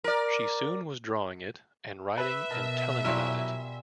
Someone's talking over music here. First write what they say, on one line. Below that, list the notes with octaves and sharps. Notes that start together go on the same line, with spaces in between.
She soon was drawing it, and writing and telling about it.
A#4 D5
B4 E5
B2 A#4 D#5 A5
F#3 G3 E4 F4 G#4